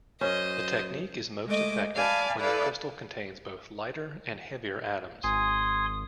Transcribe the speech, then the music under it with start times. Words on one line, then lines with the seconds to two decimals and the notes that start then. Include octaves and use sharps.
The technique is most effective when the crystal contains both lighter and heavier atoms.
0.21 F#2 C#4 C5 D#5
1.46 G#3 A3 D#5 D6
1.95 D5 F5 G#5 A5 B5
2.39 E4 A4 B4 D5 F5
5.23 G#1 G#5 C6 D#6